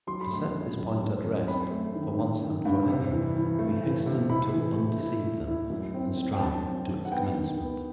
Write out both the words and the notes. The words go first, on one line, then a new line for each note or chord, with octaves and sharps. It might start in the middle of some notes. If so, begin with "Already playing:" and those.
To set this point at rest, for once and for ever, we hasten to undeceive them, and stride to its commencement.
F#3 C6
B5
A3 C6
F#2
F#2
F#2
F#2
C4 B5
A3
D#3
D#3
D#3
G2
C3
E3
E3
A3
E3
C3
E4 B5
E3
A3
E4
A2
E4
F#2
C4
C4
G5
F#2 A5
C4
D#3
F#5
B3 G5
D#3
B3